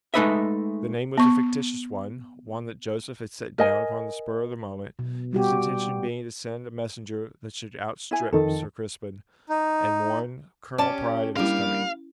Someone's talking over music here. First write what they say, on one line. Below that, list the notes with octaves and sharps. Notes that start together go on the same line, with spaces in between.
The name was a fictitious one--one that Joseph had set down upon the spur of the moment, his intention being to send a messenger that should outstrip Sir Crispin, and warn Colonel Pride of his coming.
G#3 A3 D#4 B4 D#5 E5
B3 C#6
A#4 D#5 G#5
B2
G3 F#4 G4
E4 G#5
F2 D#3 A4
D#4
C#4 G4 D5 A5
G3 A#3 C#4 D4 E4 F5